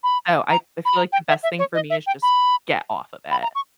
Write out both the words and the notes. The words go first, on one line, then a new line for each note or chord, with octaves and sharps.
So, I I feel like the best thing for me is just get off of it.
B5
A#5
B5
A#5
G5
E5
E5
C#5
D#5
E5
G5
B5
B5
A#5
C#6